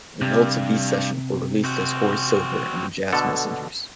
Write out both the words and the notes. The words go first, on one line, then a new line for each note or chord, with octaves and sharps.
The results of these sessions were released as "Horace Silver and the Jazz Messengers".
G2 C3
C4 F#4
B2 D3 A4